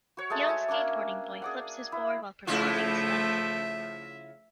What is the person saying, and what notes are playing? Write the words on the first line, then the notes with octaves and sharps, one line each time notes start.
Young skateboarding boy flips his board while performing a stunt.
F#4 C#5
G#3 A3 G#4 A5
E5 G#5 A5
A#3 C#4 D4 D6
G#4 D5 F#5
E4
C#3 F3 A3 E4 F4 E5